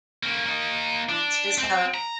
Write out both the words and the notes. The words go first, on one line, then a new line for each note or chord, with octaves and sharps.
it's just how
A#3 C#4
A#3 D#4
D4
C4
A#5